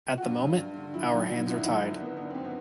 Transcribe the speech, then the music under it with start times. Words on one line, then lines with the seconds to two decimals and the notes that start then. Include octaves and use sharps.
At the moment, our hands are tied.
0.18 F#4
0.22 G2 F4
0.40 G2
0.58 G2
0.76 D3
0.94 G2 E4
1.11 F#3 D#4
1.29 F#3 D#4
1.47 G#1 E4
1.58 D#4
1.64 F#3 E4
1.82 D3 E4
2.00 G#1 B3
2.17 D3 B3
2.30 G#1 C4
2.45 B3